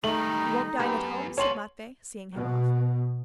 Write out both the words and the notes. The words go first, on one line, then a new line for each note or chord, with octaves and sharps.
"You won't dine at home?" said Matvey, seeing him off.
D#3 G3 A3 D#4 F#7
F#2 B3 G4
C#4 C#5 F#5 A5 C6 F#7
B2